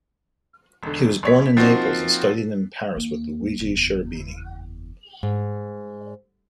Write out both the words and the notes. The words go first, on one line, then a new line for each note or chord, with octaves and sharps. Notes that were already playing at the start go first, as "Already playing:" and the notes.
He was born in Naples and studied in Paris with Luigi Cherubini.
E1 D3
A#1 C#5 B6
F3 A#3 C4 D#4 F4 F#4
D#2 A#3
F#1 E2
G#2